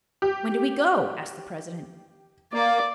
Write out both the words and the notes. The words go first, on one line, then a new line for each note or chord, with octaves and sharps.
"When do we go?" asked the president.
G4
A#3 D5